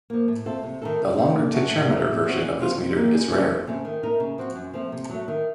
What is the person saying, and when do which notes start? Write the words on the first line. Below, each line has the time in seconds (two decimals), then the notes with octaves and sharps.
The longer tetrameter version of this metre is rare.
0.10 F3 A#3
0.28 A2
0.46 A3 C4 F4 A4
0.63 C3
0.82 D#3 A3 D#4 A4
0.99 F2
1.17 C#3 F3 A3
1.35 A#2
1.52 F#3 A3 C#4 F#4
1.70 A2
1.88 F3 A3 D#4
2.06 A2
2.24 F3 C4 F#4
2.42 C#3
2.59 F#3 C4 F4
2.77 C3
2.96 D#3 A#3 D#4
3.13 F#2
3.31 C#3 F3 A3 C#4
3.49 F2
3.67 C#3 A3 C4
3.85 D#3
4.03 A3 D#4 A#4
4.20 C#3
4.38 F3 C4 F#4
4.56 F#2
4.74 F3 A3 C4
4.92 C3
5.10 F#3 A3
5.28 D#3